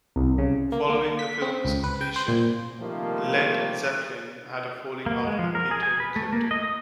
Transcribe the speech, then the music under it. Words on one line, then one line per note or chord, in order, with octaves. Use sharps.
Following the film's completion, Led Zeppelin had a falling out with Peter Clifton.
C2
C#3
A#3
A#3
B6
C4
C#2
B4
G5
C5
A#2
C3 D#3 F3 G3 A3 A#3
A#3
G#3
F3
A#4
G#4
G#5
B4
A3
A#3
D#5
D#6